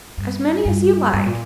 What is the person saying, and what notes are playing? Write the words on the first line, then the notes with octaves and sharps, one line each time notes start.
"As many as you like."
G2
G2
G2
A#2